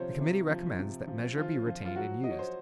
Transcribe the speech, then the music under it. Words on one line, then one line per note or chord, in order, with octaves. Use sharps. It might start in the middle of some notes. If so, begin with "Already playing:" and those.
The Committee recommends that Measure be retained and used.
Already playing: C3 F3 C5 C#5
C3
F3
C3
F3
F3 F4
F3 F4
F4
F#3 F#4
F#3 D#5
C#5
C5